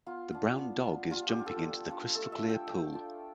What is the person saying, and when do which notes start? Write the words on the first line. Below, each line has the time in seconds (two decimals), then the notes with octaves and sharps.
The brown dog is jumping into the crystalclear pool.
0.06 B3 F4
0.32 D4 F4
0.58 B3
0.84 D4 F4
1.10 G3 F4
1.28 G4
1.37 D4 F4
1.46 A4
1.63 G3
1.89 D4 F4
2.15 A3 A4
2.32 E5
2.41 D4 F4
2.49 G5
2.67 A3 G5
2.93 D4 F4